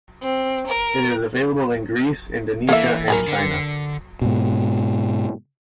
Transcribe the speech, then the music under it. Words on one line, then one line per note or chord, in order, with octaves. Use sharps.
It is available in Greece, Indonesia and China.
C4
A#4
E3 A#3 A4 E5
A#2 F#3 A#4 G#5 B5
D3
G#2 B2